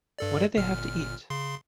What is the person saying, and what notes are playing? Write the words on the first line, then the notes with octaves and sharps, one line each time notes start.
What did they have to eat?
G2 A4 D5
G1 A#2 F6
C#3 C6 C7